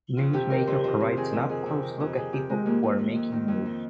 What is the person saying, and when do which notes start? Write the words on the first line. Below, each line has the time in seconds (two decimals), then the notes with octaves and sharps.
"Newsmaker" provides an up-close look at people who are making news.
0.17 F2 F4
0.33 C3 G4
0.50 D#3 A#4
0.67 F2 C5
0.84 F2 C5
1.00 C3
1.17 D#3 G#4
1.33 F2
1.49 F2 G#4
1.66 C3
1.83 D#3
2.00 F2
2.16 F2 G#4
2.33 C3 G4
2.49 D#3 G#3
2.66 F2 A#3
2.83 F2
2.99 D#3
3.15 F2
3.32 D#3
3.48 F2
3.66 D#3